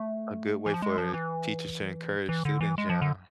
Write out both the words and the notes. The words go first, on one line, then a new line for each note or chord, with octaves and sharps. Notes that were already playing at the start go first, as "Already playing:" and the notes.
A good way for teachers to encourage students, yeah.
Already playing: A3
E3
F3
G#3
F3
E3
E3
D3
E3
G#3
F3
D3